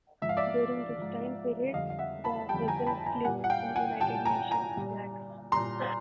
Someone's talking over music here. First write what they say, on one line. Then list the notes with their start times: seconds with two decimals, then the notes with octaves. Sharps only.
During this time period, the vessel flew the United Nations flag.
0.22 G#2 F3 E5
0.29 F5
0.37 D5 E5
0.98 G#2 F3
1.73 F2 D3 G3 D#5 F5
1.90 F5
1.99 E5 F#5
2.24 A5 B5
2.49 F2 D3 G3 G5 A5
2.68 G#5 A#5
2.87 A5 B5
3.06 G#5 A#5
3.25 A#2 G3 F#5 G#5
3.44 F#5
3.50 F5 G5
3.76 F#5 G#5
4.01 A#2 G3 G5 A5
4.25 G#5 A#5
4.51 G#5 A#5
4.77 A#2 G3
5.52 A#2 G3 A#5 C6